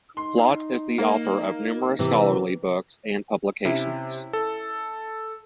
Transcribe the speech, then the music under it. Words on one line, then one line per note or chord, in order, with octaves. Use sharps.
Plott is the author of numerous scholarly books and publications.
D#4 C6
A#3
C3 E3
C3 C#4 E4
A4